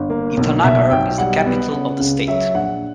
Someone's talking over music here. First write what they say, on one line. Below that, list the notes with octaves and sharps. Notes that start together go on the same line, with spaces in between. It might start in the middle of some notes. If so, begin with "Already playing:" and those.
Itanagar is the capital of the state.
Already playing: G1
A#3
B1
B2 E5
B1 G5
G3 F#5
B3
C#3
C#2
F#3 E5
A#1 F#5